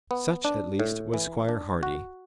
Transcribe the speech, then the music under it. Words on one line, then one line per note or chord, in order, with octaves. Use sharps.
Such, at least, was Squire Hardy.
B3
D4
A2
E3
D4
F#4